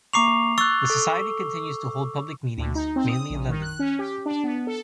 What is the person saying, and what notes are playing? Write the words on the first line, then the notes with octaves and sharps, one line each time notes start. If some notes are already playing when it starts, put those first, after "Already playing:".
The society continues to hold public meetings, mainly in London.
A#3 A#5 C#6 D6 C7 F7
C#6 E6 F#6 A6 G7
A4
D2
D#4
C4
D#6
A#1
D#3
F#6
C#4
G4
D4
B3
A4